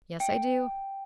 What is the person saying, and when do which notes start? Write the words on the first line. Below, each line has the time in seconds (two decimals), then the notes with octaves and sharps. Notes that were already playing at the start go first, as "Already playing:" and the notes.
"Yes, I do."
0.20 G5